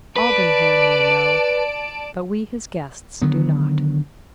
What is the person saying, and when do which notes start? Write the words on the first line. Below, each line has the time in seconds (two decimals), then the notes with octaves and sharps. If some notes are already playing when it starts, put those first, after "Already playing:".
Aldenham may know, but we his guests do not.
0.17 B4 D5 A5 D7
3.22 D3 D#3 F#3 B3